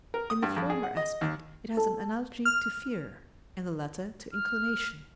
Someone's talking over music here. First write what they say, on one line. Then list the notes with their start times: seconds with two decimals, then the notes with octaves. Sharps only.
In the former aspect it has an analogy to fear, in the latter to inclination.
0.14 A#4
0.30 D#6
0.43 G2
0.56 F2
0.70 G#4
0.83 F#5
0.97 D#5
1.21 D#2
1.77 A4
2.45 F6
4.33 F6